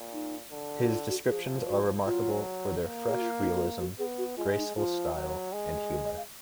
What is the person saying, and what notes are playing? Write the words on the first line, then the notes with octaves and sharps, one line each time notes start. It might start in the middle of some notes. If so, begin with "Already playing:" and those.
His descriptions are remarkable for their fresh realism, graceful style and humour.
Already playing: A#2
D#4
D3
F#4
F4
F#4
F3 G#4
F#4
F#3 F4
A#3
G#4
F#4
F4
D#4
F#4
F4
F#4
B3 G#4
F#4
G#3 F4
D#4
F3 F4
F#3
G#3
F#4
D#5
F5